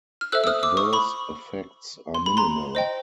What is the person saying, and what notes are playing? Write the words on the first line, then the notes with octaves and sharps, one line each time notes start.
Adverse effects are minimal.
F6
A4 C5 E5 E6 F#6
E6
D#6 F6
D6 E6
C#6 D#6
B5 C#6
C6
B5
A#5 C6
C5 D#5 G5